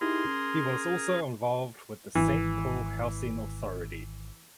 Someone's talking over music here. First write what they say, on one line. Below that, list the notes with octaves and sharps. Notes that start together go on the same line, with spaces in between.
He was also involved with the Saint Paul Housing Authority.
D#4 E4 G4 G#4 A#4 C6
C#4
G#1 E3